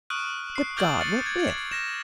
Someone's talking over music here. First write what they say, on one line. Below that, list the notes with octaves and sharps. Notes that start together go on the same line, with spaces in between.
'Good God! what with?'
C#6 D#6 F6 F#6 D7 D#7
C7
D6 F6 G6 A6 D7 F#7
A6 C#7 D#7 F#7
G#6
F6 A#6 E7